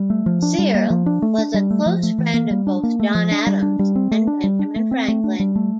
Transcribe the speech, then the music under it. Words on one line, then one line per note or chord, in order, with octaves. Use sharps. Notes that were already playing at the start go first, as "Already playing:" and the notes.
Searle was a close friend of both John Adams and Benjamin Franklin.
Already playing: G3
A3
F3
D4
G3
A#3
F3
D4
A3
D4
G3
A3
F3
A3
E3
A#3
G3
D4
A#3
A3
F3
D4
G3
D4
G3
C4
A3
D4
G3
D4
A3
C4
A3
D4
G3
A3